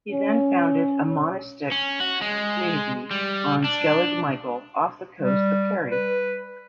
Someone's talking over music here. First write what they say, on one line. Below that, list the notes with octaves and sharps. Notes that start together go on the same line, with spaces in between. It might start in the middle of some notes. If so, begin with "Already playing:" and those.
He then founded a monastic community on Skellig Michael, off the coast of Kerry.
C#4
C#4
F#4
G#3
G3
D4
G3
B4